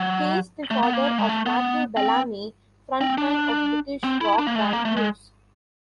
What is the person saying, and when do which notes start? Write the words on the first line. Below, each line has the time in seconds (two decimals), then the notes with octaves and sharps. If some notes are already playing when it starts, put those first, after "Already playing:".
He is the father of Matthew Bellamy, frontman of British rock band Muse.
Already playing: F#3
0.71 A3
0.83 B3
0.93 A#3
1.18 G#3
1.29 A3
1.46 B3
1.97 C4
3.01 C4
3.18 D4
4.04 C4
4.21 E4
4.39 D4
4.47 A#3
4.55 A3
4.65 G#3
4.73 A#3
4.85 A3
4.97 G#3